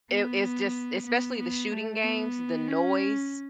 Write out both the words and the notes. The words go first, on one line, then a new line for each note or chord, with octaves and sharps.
It it's just especially the shooting games, the noise
B3
B3
B3
A3
B3
C#4